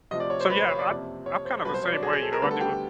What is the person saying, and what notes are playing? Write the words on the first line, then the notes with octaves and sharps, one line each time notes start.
So, yeah, I I'm kind of the same way, you know. I do a
D2 C3 F3 D#5
D5
C#5
C5
B4
C5
C#5
D5
F#1 F2 C3
C#5
C5
C2 B2 F#3 B4
C5
C#5
D5
G#4
G#4
A4
A#4
D2 D3 G3 B3 B4
A4
G4